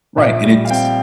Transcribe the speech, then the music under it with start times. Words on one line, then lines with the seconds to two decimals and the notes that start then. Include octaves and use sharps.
Right, and it's
0.17 A#1 E5
0.44 G3
0.65 F5
0.70 C4 G5